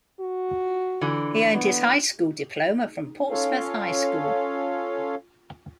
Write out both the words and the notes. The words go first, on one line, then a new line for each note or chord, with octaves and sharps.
He earned his high school diploma from Portsmouth High School.
F#4
D3 E3
B3
C#4 F4 A4 C#5 F5